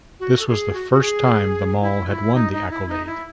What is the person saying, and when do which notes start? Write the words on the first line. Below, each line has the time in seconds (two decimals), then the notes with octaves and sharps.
This was the first time the mall had won the accolade.
0.20 F#4
0.39 A4
0.47 G#4
0.73 F#4
0.91 F#4
1.01 G#4
1.81 E4
2.08 F#4
2.11 E4
2.34 D#4
2.52 D#4
2.70 E4
2.88 D#4
3.06 E4